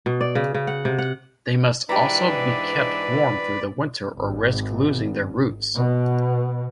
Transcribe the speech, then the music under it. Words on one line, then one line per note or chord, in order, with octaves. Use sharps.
They must also be kept warm through the winter or risk losing their roots.
B2
D5
C#3
C#3
F#5
C3
F#5
G#2 E3 D4 G4 B4 D5 A#5
G#1
B2